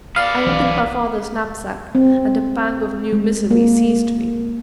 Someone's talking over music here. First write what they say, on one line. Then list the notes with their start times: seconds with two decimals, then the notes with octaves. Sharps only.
I opened my father's knapsack, and a pang of new misery seized me.
0.16 B3 D5 F5
0.46 B1 E3
1.95 C4
3.12 G#3
3.51 A#3